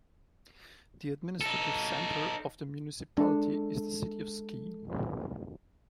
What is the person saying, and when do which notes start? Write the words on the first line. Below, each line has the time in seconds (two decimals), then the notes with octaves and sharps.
The administrative centre of the municipality is the city of Skien.
1.42 D#4 A4
3.18 G#3 D4 A4